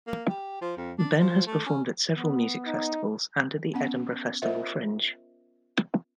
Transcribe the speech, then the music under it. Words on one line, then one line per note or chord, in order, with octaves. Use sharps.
Benn has performed at several music festivals, and at the Edinburgh Festival Fringe.
A#3
G4
F3
F2
D4
F3
A3
C#4
B3
D#4
B3 C#4 F#5
F4 A#4 C5 D#5 E5 F#5